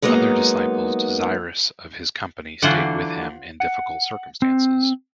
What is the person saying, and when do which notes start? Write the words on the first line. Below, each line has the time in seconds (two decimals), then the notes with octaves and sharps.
Other disciples desirous of his company stayed with him in difficult circumstances.
0.02 F#3 G#3 A#3 B3 D#4
2.62 D3 E3 F#3 F4 C5 F#5
3.60 F#5
4.42 C4